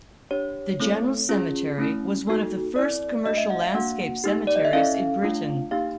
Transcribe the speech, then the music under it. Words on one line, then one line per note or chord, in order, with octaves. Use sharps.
The General Cemetery was one of the first commercial landscape cemeteries in Britain.
D4 G4 C#5
A3 C4 E4 A4
C#4 F4 G#4
A3 C#4 E4
A#3 D#4 F#4 A4
C4 E4 A4 D5
A3 D4 F#4 D#5
E5
F#5
F5
A#3 D4 F#4 F#5
A#3 D#4 G4
D5
D#5
E5
C#4 E4 A4 F5
A3 D4 F4
A#3 D#4 G4 F5